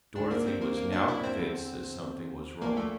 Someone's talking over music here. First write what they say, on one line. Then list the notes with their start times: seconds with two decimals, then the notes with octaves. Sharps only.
Dorothy was now convinced that something was wrong.
0.15 D2 D3 D4 D5
0.31 A#3 A#4
0.46 C4 C5
0.61 A#3 A#4
0.77 A#3 A#4
0.92 D4 D5
1.08 E4 E5
1.23 C4 C5
1.39 E2 D3
2.61 A#1 A#2 A#3 A#4
2.76 A3 A4